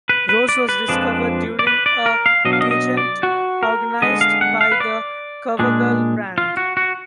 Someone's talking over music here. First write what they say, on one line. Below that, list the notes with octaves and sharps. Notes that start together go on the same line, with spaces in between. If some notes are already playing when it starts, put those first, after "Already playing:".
Rose was discovered during a pageant organized by the "Covergirl" brand.
B4
B4
D5
B4
F2 F3 G#3 D4
D5
B4
D5
A#4
F5
B2 F#3 D4 D#5
F5
D#5
D#5
D5
F#4
A#4
D3 G#3 B3 D#5
F5
F#5
F5
B4
D5
A#2 G#3 D4
F4
F#4
F#4